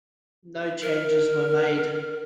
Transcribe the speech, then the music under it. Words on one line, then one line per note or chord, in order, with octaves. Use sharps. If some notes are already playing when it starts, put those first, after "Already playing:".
No changes were made.
A#4